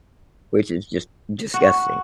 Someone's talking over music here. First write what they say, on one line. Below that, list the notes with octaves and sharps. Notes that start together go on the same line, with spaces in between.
Which is just, disgusting.
F#4